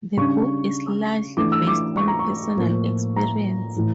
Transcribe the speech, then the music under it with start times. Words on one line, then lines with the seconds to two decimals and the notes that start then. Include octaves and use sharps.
The book is largely based on personal experience.
0.17 C#3 G3 D4 C#6
1.37 E3 A3 D4 D6
1.52 E6
1.67 D6
1.97 C#6
2.08 A#5
2.19 C#6
2.56 A2 F3 A#3
3.16 A#5
3.76 A2 E3